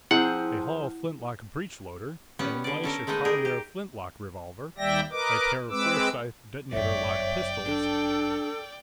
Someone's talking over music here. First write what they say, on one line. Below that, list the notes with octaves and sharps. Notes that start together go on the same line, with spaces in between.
A Hall flintlock breech-loader; an Elisha Collier flintlock revolver; a pair of Forsythe detonator-lock pistols....
F3 C4 E4 G#4 F#5
G3 B3 C#4
D3 D5
C#4 A4 A#4
G#3 A3 B3 D#4 D#5
G4 G#4 A#4
G4
D#2 G3 D5 E5 G5 A#6
A#4 B4 D#5 D6
G#3 C4 B4 D6 E6
G1 F#2 C#5 D5 E5 G5
D4 A4